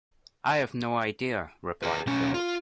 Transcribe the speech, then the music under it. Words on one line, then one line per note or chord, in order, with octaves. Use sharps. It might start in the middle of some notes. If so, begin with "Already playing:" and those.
I have no idea, replied Philip.
G#4 B4
B1 C#4
F4